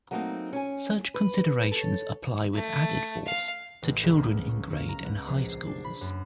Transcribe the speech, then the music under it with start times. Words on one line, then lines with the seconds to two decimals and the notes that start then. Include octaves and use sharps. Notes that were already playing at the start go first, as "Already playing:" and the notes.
Such considerations apply with added force to children in grade and high schools.
0.11 F#3 A3 A#3 C4 D#4
0.53 C#4 G#5
1.14 B4
1.72 A4 C#5
2.54 A3
3.26 F5
3.82 A1
4.03 C#2
4.18 A#3
4.49 C#6
4.72 A#3
4.89 A#5
5.05 B3
5.27 A#1
5.49 C7
5.67 D4
5.84 B5
6.01 F#2